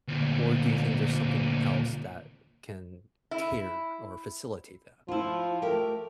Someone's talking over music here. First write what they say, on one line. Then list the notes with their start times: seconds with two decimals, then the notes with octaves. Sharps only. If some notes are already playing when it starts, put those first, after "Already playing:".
Or do you think there's something else that can cater or facilitate that?
0.08 D2 A#2
3.31 E4
5.08 F3 E4 F4
5.62 A3 G4 A#4